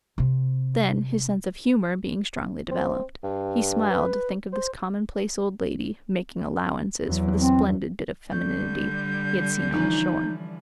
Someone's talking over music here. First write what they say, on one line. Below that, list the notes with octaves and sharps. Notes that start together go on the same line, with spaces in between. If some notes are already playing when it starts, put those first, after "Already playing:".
Then, his sense of humour being strongly developed, he smiled to think of this commonplace old lady "making allowances" for the splendid bit of femininity he had seen on the shore.
C3 C4
C4
G2
B4
C5
E2 F#3
C4
D3 G3 A3 G6
E3 F3 C#4 D#4